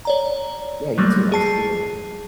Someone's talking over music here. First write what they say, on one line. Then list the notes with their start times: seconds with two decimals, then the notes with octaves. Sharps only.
Yeah, you too. I'll see you later.
0.05 C#5 D5 A#5
0.98 F#3 G3 A3 A#3
1.32 G#4 A5 C7